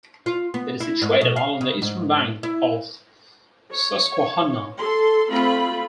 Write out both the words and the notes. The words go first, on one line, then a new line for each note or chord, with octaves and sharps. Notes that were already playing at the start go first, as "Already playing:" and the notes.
It is situated along the eastern bank of the Susquehanna.
F4
B3
E4
G#2
B2
F5
C#3
G#2
E4
C#5
A4 C6
A3 C4 F4 B5